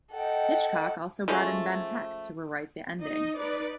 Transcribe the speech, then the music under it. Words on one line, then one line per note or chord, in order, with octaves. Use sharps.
Hitchcock also brought in Ben Hecht to rewrite the ending.
A4 D#5 F#5 G5
F3 G#3 A3 C#4
D#4 D#5
D#4 B4 D5